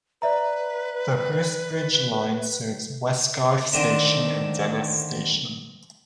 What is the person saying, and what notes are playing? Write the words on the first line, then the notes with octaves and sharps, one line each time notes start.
The Hurstbridge Line serves Westgarth Station and Dennis Station.
B4 D5 E5 A#5
D3 D#3 C4 D4